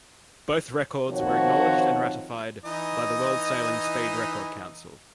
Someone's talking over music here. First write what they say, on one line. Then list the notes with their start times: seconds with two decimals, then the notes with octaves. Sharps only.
Both records were acknowledged and ratified by the World Sailing Speed Record Council.
1.09 D#3 F3 C4 F#4 C#5
2.65 E3 D#4 D#5